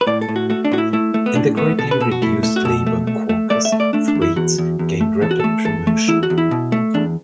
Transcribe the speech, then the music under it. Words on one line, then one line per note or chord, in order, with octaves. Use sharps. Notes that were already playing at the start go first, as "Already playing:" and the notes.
In the greatly reduced Labor Caucus, Thwaites gained rapid promotion.
B4
A2 D5
A4
A2
F#4
A3 F#4
D4
A2 F#4
E4
A3 E4
A3
B3
A2 D4
A3 B3
B2 A4
B4
B2 A4
F#4
A3 E4
A3
F#4
B2 A4
A3
A3
A3
A3 D5
E5
A3
D5
A3 D4
D4
E2
E4
E2 F#4
E2
E2
A3
E2 A4
F#4
A3 A4
E2 A4
A3
E2 E4
F#4
E2
E4
B2
A3
E2 D4